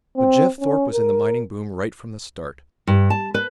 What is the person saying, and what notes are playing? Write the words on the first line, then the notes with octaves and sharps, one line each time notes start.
But Jeff Thorpe was in the mining boom right from the start.
C4
C#4
A#4
G2
A5
B4